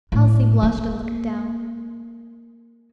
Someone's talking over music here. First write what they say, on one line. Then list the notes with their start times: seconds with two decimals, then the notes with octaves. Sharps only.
Elsie blushed and looked down.
0.12 A2
0.63 A#3